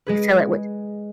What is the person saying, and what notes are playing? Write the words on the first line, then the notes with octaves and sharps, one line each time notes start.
you fill it with
G#3 G#4 B4